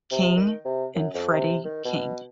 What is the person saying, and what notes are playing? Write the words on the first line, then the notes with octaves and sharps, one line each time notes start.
King and Freddie King.
C3
D#3
C3
F#2
F2
C3
D#3
B2